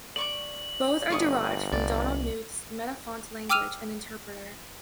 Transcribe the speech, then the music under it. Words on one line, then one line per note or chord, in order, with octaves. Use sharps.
Both are derived from Donald Knuth's Metafont language and interpreter.
D5 C#6 D6 F#7
G1 D5 C#6 D#6
C2 D5
G5 D6 E6 F6 D#7 F7